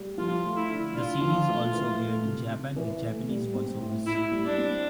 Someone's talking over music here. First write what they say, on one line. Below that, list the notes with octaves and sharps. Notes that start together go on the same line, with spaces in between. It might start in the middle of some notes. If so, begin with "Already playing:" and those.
The series also aired in Japan with Japanese voice-overs.
Already playing: G3
F3 F4
A3
E4
D3
D4 F4
F3
A3
E3
A3
C3
C3
E3
A3
G3
C4
A2
A2 E4
G3
D4
C4